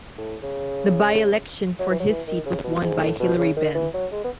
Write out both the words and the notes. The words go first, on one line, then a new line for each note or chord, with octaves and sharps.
The by-election for his seat was won by Hilary Benn.
A2
C#3
F#3
E3
F#3
E3
D#3
C#3
B2
G#2
A2
B2
C#3
D#3
E3
F#3
G#3
B3